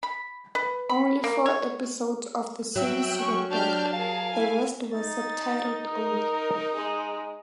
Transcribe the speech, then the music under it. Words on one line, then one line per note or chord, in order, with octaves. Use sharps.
Only four episodes of the series were dubbed; the rest were subtitled only.
B5
B4
B5
A#3
C#5
F#3 E5 G5 E6 F#6
C#4 C#6
D4 G4 A5 F6 G6
G#4 A#4 F5
E4 G#5
D#4 A6
A#4
G#3